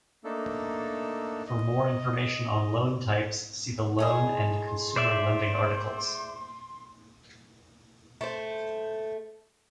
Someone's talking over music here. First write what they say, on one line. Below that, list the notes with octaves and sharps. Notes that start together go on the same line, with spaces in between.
For more information on loan types, see the loan and consumer lending articles.
A3 A#3 D4 D#4 A4
D#5
A2 G#4 D#5
C6
C5 D5 E5
A3 C5